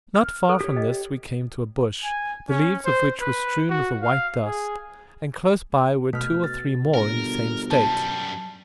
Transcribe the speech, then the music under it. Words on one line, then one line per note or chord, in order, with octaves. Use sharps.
Not far from this we came to a bush, the leaves of which were strewn with a white dust; and close by were two or three more in the same state.
F6
A4
G4 C#5
D#5
G#5
C#4
C5
B4
F#4
F5
G#4
B2 A3 F6
A6
G1 A#4
F#2 G3 A5